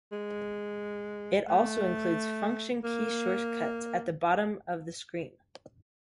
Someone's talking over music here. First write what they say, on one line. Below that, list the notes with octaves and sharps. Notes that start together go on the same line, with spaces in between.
It also includes function key shortcuts at the bottom of the screen.
G#3
A3
A#3